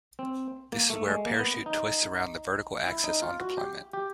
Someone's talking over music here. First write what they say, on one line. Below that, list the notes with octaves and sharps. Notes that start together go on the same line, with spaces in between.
This is where a parachute twists around the vertical axis on deployment.
C4
A#3
A3
G#3
A#3
B3
D#4
E4
D#4
F4
F#4
G4
G4